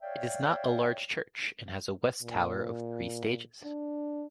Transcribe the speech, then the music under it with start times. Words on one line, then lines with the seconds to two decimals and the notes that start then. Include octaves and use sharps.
It is not a large church and has a west tower of three stages.
0.01 C#5 D5 E5 F5 G5
2.22 A#2
3.64 D4